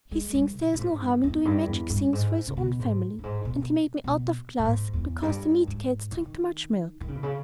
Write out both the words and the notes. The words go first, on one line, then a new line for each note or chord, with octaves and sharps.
He thinks there's no harm in doing magic things for his own family, and he made me out of glass because the meat cats drink too much milk.
G#3
G3
A#2
A#2
G#2
G2
E2
G2
E2
G2
G#2
C#3
B2
G#2
G2
G#2
B2
B2
A#2
G#2
E2
G2
G#2
D#3
D#3
C#3
B2
C#3